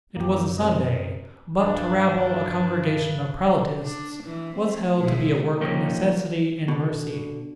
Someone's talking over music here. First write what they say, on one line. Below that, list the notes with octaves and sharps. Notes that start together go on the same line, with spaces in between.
It was a Sunday; but to rabble a congregation of prelatists was held to be a work of necessity and mercy.
F#2 A#3 G4
C3 A#4 D#5
G2 D4
D4
E3
A3 C4
B2 G#3 E4
F3 A#3 C#4 D#4 G4
B2 D3